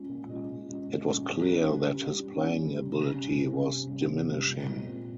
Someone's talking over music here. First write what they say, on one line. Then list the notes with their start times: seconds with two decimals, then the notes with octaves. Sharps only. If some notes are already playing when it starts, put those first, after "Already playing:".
It was clear that his playing ability was diminishing.
Already playing: G#3 C#4 F4
0.09 A#2
0.29 G#3 C#4 F4
0.48 A#2
0.69 G#3 C#4 F4
0.89 A#2
1.09 G#3 C#4 F4
1.28 G3
1.48 C#4 G4
1.68 G3
1.88 C#4 G4
2.08 G3
2.28 C#4 G4
2.47 G3
2.68 C#4 G4
2.88 C3
3.08 G3 C#4
3.27 C3
3.48 G3 C#4
3.67 C3
3.87 G3 C#4
4.07 C3
4.27 G3 C#4
4.47 A#2
4.66 G#3 C4
4.87 A#2